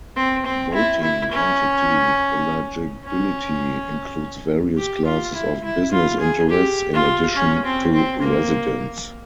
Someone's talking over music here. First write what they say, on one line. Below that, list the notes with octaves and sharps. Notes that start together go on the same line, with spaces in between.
Voting entity eligibility includes various classes of business interests, in addition to residents.
C4
C4
E4
E4
C#4
C#4
G4
F4
E4
E4
F4
G#4
G4
F4
C#4
C4
C4
A#3